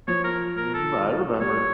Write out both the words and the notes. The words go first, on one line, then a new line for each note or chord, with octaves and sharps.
Mhm, I remember.
F3 C#5
A#4
A#4
A4
G3 C#5